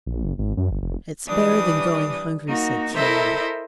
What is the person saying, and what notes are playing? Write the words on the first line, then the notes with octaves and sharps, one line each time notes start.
"It's better than going hungry," said Carrie.
A#1
F#1
G#1
F#2
G1
F1
E3 G3 D4 D#6
A#3 D#4 F#4
E4 A4 A#4 C5 D#5 E5